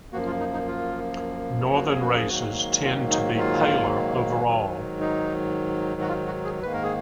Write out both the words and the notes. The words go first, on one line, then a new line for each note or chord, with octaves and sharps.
Northern races tend to be paler overall.
F#2 F3 A#3 F#4
F4
D#4
D#4
F4
F#4
G#4
F#4
G#4
G#2 D#3 F#3 A#3 F#4
F4
D#4
F4
G#2 D#3 F#3
D#4
F#4
F4
F#4
G#4
G#2 D#3 A#3 B4
A#4
G#4